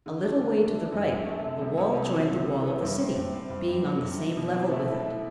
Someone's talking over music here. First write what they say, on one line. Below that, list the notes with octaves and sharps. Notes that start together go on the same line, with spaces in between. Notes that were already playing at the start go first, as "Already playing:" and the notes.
A little way to the right the wall joined the wall of the City, being on the same level with it.
D3
D4
D3
A3
D4
F#2
F#2
A3
C3
C2
C2
C3
C2
C3
E3
B3
G2
C4
G2
C4
G2
G2
F#3
G2
E4
B2
C4
A3
E4
E4